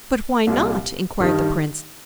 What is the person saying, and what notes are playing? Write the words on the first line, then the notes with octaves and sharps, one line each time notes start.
"But why not?" inquired the prince.
C2 A#2 G3
G2 D#3 G3 D#4